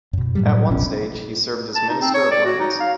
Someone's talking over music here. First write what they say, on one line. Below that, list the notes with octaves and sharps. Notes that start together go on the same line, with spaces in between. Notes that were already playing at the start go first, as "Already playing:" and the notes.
At one stage he served as Minister of Lands.
F#2 B2
A2 F#3 G3
F1 B1 B2 C#4
A5
D#4
C4
C#5
D5
F#4
D#4
F5